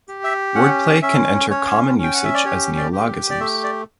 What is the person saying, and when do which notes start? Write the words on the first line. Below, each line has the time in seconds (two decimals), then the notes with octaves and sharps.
Word play can enter common usage as neologisms.
0.08 G4
0.24 E5
0.55 C#4 F#5
1.02 C#4 E5
1.50 C#4 C#5
1.98 C#4
2.03 G5
2.14 F#5
2.24 E5
2.34 D5
2.45 G4 C#5
2.77 D5
2.92 G4
3.30 D5
3.40 A3 E5
3.64 D5